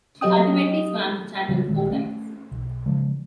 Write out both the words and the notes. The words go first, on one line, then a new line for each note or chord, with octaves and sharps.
She ultimately swam the Channel four times.
F#3 G4 D#5 G5 D#6
C#3 F3 G3 C4
A#1 D#3 G#3
A3 C#4
B1
C#3 F3 G#3